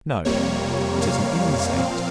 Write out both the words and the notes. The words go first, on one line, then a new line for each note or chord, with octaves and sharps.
No, it is an insect.
F2 C3 G3 A#3 C#5
F5
A#2 F3 C4